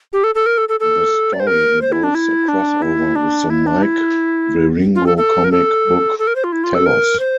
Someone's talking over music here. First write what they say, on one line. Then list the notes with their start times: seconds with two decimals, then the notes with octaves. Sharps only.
The story involves a crossover with the Mike Weiringo comic book "Tellos".
0.13 G4
0.24 A4
0.35 A4
0.46 A#4
0.58 A4
0.69 A4
0.80 A4
1.33 D5
1.40 C5
1.47 A#4
1.81 C5
1.92 E4
2.03 D4
2.15 E4
2.48 D4
2.82 E4
3.15 D4
3.50 E4
3.67 D4
3.82 E4
4.95 F4
5.06 A4
5.17 A4
5.44 A#4
5.52 A4
6.19 A4
6.27 A#4
6.35 C5
6.44 F4
6.52 E4
6.64 F4
6.75 A4
6.86 A#4
7.19 C5